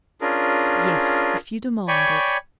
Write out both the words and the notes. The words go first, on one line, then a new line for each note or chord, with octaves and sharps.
"Yes, if you demand it."
C#4 D4 F4 G#4 A#4
C#5 D5 G5 G#5 B5 C#6